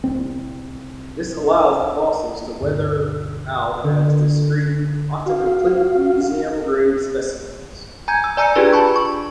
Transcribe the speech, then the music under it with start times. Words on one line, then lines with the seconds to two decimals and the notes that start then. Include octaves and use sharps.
This allows the fossils to weather out as discrete, often complete museum-grade specimens.
0.04 C2 C4
2.60 D2 G2 B2 D3
3.84 D3
5.26 F#4 F5
8.08 G#5 A#5 G6 G#6
8.24 E6
8.37 D5 G#5 A#5 E6 G6 C#7
8.55 D4 F4 G4 G#4 B4 D5
8.73 A5 B5 C#6
8.96 C#6